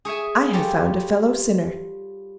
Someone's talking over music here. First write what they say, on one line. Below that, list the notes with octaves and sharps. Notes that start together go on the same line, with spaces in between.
"I have found a fellow-sinner."
G#4 C#5 E5 G#5
G3 F4 G4 A4 C#5